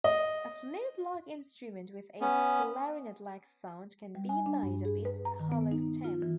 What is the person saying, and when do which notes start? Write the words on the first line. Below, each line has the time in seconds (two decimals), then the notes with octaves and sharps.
A flute-like instrument with a clarinet-like sound can be made of its hollow stem.
0.04 D#5
2.21 B3 C#4
4.15 G3
4.29 G#5
4.46 D4
4.63 G2
4.85 G#4
5.05 B4
5.25 A#5
5.40 D#3
5.52 B3
5.72 D#4
6.04 F4
6.22 E3